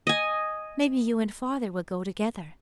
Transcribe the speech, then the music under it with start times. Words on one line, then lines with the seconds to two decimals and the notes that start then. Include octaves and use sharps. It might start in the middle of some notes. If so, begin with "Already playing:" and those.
May be you and father will go together.
0.07 D#5 G#5